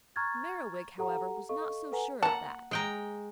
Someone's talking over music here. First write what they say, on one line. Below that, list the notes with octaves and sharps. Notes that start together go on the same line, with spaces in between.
Merriwig, however, was not so sure of that.
A#5 C#6 F6 F#6 G#6 A6
G4 A4 F#5 A#5
A4 D#5 F5 C#6
A4 B4 F#5 G#5 A#5
A#3 F#5 A5
G#3 G5 A#5